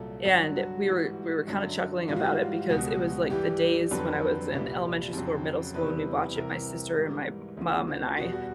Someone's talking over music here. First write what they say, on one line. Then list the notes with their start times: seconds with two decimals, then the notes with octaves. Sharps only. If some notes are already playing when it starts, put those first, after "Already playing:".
and we were we were kinda chuckling about it because it was like the days when I was in elementary school or middle school and we'd watch it, my sister and my mom and I,
Already playing: C2 A#2 F#3 A4
0.25 G2 D3 F#3 F#4
0.56 F#4
0.86 G#2 E3 G3
1.47 F#2 D3 F#3
2.08 G#2 E3 G3 F4
2.16 F#4
2.24 F4
2.69 C#2 B2 G3 F#4
3.30 G2 E3 G3 G4
3.91 F2 D3 F#3 B4
4.52 C2 A#2 G3
5.13 F2 C#3 F#3
5.74 E2 C3 E3 G3 B4
6.35 C2 C3 E3 A#4
6.96 G#2 E3 G3
7.57 D2 C#3 F3
7.88 F#4
8.18 E2 B2 G3 F#4
8.33 F#4